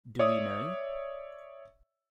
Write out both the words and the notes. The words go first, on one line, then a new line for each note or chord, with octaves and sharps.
Do We Know!?
C#5 D5 E5 D#6